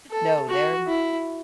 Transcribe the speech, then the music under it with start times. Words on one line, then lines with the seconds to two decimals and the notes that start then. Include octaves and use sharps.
No, they're
0.11 A4
0.49 F#4
0.87 E4